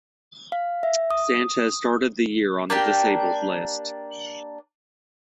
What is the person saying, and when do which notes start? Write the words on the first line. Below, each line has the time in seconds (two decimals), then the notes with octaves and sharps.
Sanchez started the year on the disabled list.
0.52 F5
0.83 E5
1.11 D#6
2.70 A#3 D4 G4 G5